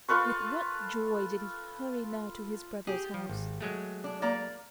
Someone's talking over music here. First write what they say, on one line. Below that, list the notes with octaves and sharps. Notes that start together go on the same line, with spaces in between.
With what joy did he hurry now to his brothers' house!
F4 A4 B4 C#6
G4 G#4
F3
G#1
F#3 G#3 A3
D4
A#3 D5 A#5